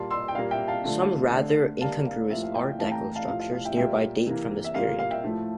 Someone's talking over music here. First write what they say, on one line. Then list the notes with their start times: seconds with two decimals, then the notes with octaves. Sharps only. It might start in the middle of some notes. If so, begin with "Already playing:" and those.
Some rather incongruous Art Deco structures nearby date from this period.
Already playing: A#2 G3 A#3 A5 C6
0.10 C6 E6
0.28 G5
0.35 A#2 G3 A#3 F5
0.51 E5 G5
0.68 F5 A5
0.84 D3 F3 A3
1.32 D3
1.37 A3
1.81 D3 G3 A#3 F5 A5
2.06 F5
2.30 A2 F3 A#3 E5
2.43 F5
2.54 E5 G5
2.68 F5
2.79 A2 E3 A3 F5 A5
2.91 G5 A#5
3.15 F5 A5
3.27 A2 F3 A3 F5
3.40 F5
3.53 F5
3.65 E5 G5
3.76 A#2 G3 A#3 E5 G5
4.26 C3 E3 A#3
4.64 E5
4.75 A#2 G3 A#3 F5
4.99 F5
5.11 E5 G5
5.24 A2 F3 A3